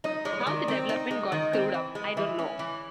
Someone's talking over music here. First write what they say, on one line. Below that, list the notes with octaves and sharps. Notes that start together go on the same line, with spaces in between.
How the development got screwed up, I don't know.
D#4 D#5
G#3 D5
C#5
D5
D#3
C4
D#4
G#3
D5
D#3 D#5
C4
E3
G#3
E3 E5
C#4
E3